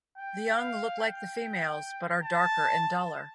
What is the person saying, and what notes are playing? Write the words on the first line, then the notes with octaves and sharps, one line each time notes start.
The young look like the females, but are darker and duller.
G5
F5
G5
A5